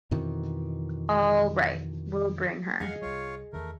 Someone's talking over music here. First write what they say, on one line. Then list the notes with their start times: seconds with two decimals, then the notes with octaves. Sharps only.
All right; we'll bring her!
0.11 F2 B2 D#3 E3
2.80 F2 E3 G#4 D#5 F5 F#5 G#5
3.02 C2 G3 F4 C#5
3.53 E2 D#3 A3 A#4